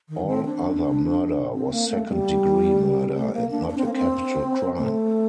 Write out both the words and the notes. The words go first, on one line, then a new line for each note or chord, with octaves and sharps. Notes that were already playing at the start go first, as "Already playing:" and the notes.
All other murder was second-degree murder, and not a capital crime.
D#3
C4
D4
C4
A#3
A3
G3
A3
A#3
D4
D4
C4
A#3
C4
A3